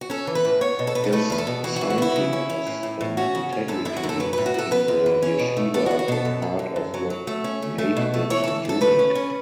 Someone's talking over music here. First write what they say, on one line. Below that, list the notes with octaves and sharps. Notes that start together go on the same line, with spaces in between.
His saintliness and integrity in the yeshiva was part of what made it unique.
F#4
C#4 A4
E3
B4
A2
B3 C#5
B2
A4
B2 B4
A4
A3 B4
E2 B4
A4
B2
E3 F#4
F#4
E3
F#4
B3 E4
C#3
C#4
C#4
A2
A2
A2
C#4 F#4
C#3
C#4
F#2 A4
F#2 E4
F#4
F#2
A4
F#3 B4
A2 B4
F#4
A2 A4
B3 B4
F#2
E3
C#4
B2
A3
B3 A4
F#4
B3
F#4
B2 A4
F#2
F#2
F#2
F#2
F#3
F#3
A3
C#4
A3
A3
B2
A3
E3 C#5
A2 A4
A2 A4
A3 B4
C#4
C#4